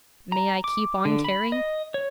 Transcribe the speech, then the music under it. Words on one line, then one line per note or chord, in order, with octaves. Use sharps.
May I keep on caring?'
A#5
D6
D3
B5
D#5
C#5